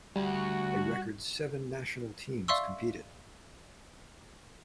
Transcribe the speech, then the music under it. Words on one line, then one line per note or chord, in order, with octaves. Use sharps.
A record seven national teams competed.
D2 G3 F#4
D5 E5 F5 C6 C#6 E6